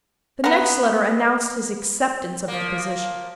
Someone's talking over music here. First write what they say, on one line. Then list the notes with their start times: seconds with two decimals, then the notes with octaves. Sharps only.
The next letter announced his acceptance of the position.
0.44 B3 A#5
2.48 F3 A#3